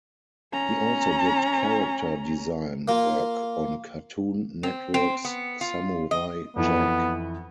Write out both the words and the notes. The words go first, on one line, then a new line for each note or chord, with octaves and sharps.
He also did character design work on Cartoon Network's "Samurai Jack".
C#4 A#5
A#3 F4
C4
C4
B3
F4
D#5
F2 E3 B3